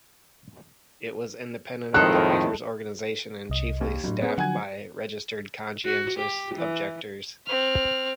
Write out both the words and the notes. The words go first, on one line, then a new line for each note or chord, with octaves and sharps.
It was independent of the Quakers' organisation and chiefly staffed by registered conscientious objectors.
F2 A2 D#3 G#3 A4 F#6
C2 D#5
D#2
G1 A2 F#3
G#3 B3 C#4
D3 F3 F#3 F#5 G#5 G#6
F#4
G4
E3
C4 F6